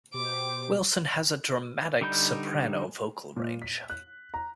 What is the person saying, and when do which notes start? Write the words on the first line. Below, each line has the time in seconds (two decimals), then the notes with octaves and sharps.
Wilson has a dramatic soprano vocal range.
0.14 B2 G4 C5 D6
2.01 D3 G3 D#4 B5 G6
3.36 A#2
3.62 B6
3.90 F#6
4.34 A#5